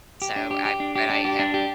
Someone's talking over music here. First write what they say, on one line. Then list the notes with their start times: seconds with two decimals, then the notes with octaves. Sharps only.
so I but I have
0.22 G4
0.36 D4
0.51 G4
0.66 G4
0.80 D4
0.96 G4
1.10 D4
1.25 G4
1.40 D4
1.54 G4